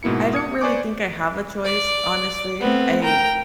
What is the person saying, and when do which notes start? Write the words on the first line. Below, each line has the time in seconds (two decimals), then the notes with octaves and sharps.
I don't really think I have a choice, honestly. I
0.03 G#2 B2 A#3 E4 C#7
0.33 D#6 G#6 C#7
0.61 B4 C5 D5 G#5 C#6 D6
1.66 D5
2.62 A3 B3 C4
3.02 A#4 G5